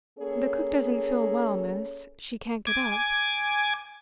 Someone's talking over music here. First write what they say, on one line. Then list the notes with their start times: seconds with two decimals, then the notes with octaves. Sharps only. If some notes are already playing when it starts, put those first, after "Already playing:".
'The cook doesn't feel well, miss; she can't get up.'
0.19 A#3 C#4 G#4 A4 C#5
2.67 G#5 D6 G#6